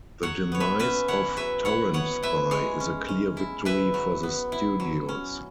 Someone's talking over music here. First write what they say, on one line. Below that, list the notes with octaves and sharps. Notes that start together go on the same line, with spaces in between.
The demise of TorrentSpy is a clear victory for the studios.
F#3 C#5 F#5
B3 C#5
B4 E5
C#4 B4 E5
E4 C#5 F#5
F#3 B4 E5
E4 C#5 F#5
B3 C#5 F#5
E4 B4 E5
G#3 G#4 C#5
C#4
C#4
E4
E4 B4 E5
F#3
B3
E4
F#3
C#4